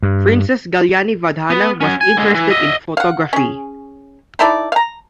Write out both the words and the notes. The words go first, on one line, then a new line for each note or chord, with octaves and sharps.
Princess Galyani Vadhana was interested in photography.
G2
B3
F#3 C#4
G#5
D3 G#3
E3
D#5 E5
F5 F#5
C#4 G#4
D#4 E4 A4 D5
F5 A#5